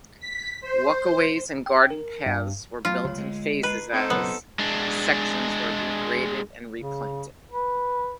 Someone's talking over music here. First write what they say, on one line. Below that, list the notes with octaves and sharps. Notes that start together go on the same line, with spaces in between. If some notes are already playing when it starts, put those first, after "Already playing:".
Walkways and garden paths were built in phases as, sections were regraded and replanted.
B6
C5
G5
A#4
G2
F#3 A3 B3 F4
C#2 D3 C#5
G#3
B4 D#5 A#5 C7
C4 D#4 A4 C5 D6 C#7
F#1 B2 F#3 B3
G#3 D4
C#3
B4